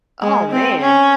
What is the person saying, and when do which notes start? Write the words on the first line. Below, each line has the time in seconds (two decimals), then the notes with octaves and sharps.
Oh, man.
0.22 G#3
0.52 C4
0.81 C#4